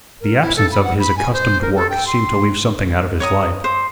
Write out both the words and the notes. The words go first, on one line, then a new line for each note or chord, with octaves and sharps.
The absence of his accustomed work seemed to leave something out of his life.
A#4
E4
A4
B5
F#5
B5
G#5
C5
A#4
A4
G5
C6
C#5 A#5 D#6
C5